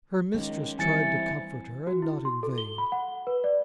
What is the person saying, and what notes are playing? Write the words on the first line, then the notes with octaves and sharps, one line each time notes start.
Her mistress tried to comfort her, and not in vain.
D#3 G#3 B3 C#4
E3 G3 C4 E4 G#5 A6 C#7
F#4
E4
C6
A4
G7
B5
F#5
B4
D5